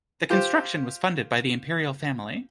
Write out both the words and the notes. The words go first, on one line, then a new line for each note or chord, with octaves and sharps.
The construction was funded by the imperial family.
F4 G4 C5